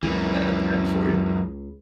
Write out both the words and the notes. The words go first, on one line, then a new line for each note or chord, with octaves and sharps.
Hap happy for you.
C#2 F#2 E3